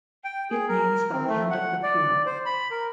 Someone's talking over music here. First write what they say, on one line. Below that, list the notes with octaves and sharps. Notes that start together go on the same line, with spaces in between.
It means the land of the Pure.
G5
G#4
A#4
C4
A3
F#5
D5
C5
B5
A#4